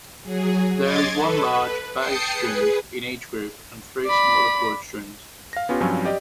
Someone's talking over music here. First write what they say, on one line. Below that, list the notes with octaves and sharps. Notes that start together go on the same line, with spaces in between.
There is one large bass string in each group and three smaller chord strings.
F#3 G#4
C#5 D#5 C6 D6 G#6 A6
A4 B4
B4
G5 A5 D#6 C7 C#7
G#4 B4
D5 B5
F5 A#6
B3 C#4 F4 G4
G2 F3 F#3 C4 C#4
G4 D5 D#5